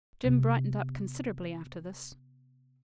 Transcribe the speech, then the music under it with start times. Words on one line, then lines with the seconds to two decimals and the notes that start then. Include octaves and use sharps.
Jim brightened up considerably after this.
0.24 C3 B3